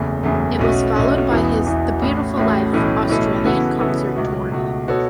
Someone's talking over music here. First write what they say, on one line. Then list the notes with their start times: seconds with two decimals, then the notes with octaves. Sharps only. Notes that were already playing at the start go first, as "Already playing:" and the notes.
It was followed by his "The Beautiful Life" Australian concert tour.
Already playing: F#1 E2 C#3 A3
0.23 F#1 E2 C#3 A3
0.59 B1 B2 A3 C#4 F#4
0.95 B1 B2 A3 C#4 F#4
1.31 E1 E2 E3 B3 E4
1.66 E1 E2 E3 B3 E4
2.01 A1 A2 A3 C#4 F#4
2.37 A1 A2 A3 C#4 F#4
2.73 B1 A2 E3 C#4 A4
3.09 B1 A2 E3 C#4 A4
3.45 C#3 E3 B3 F#4 A4
3.80 C#3 E3 B3 F#4 A4
4.16 C#2 B2 A3 F#4
4.52 C#2 B2 A3 F#4
4.88 B2 B3 F#4 A4 C#5